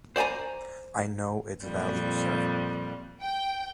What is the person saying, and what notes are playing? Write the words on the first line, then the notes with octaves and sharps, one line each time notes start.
I know its value, sir.
C5 D5 G5 G#5 A#5
F2 A#2 G3
G5